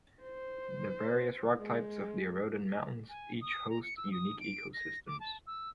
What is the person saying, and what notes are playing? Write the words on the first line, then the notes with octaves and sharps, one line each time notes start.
The various rock types of the eroded mountains each hosts unique ecosystems.
C5
G#3
G#5
D#6
A#5
C#7
E6
D#6
D7
A#6
D6
A5
E6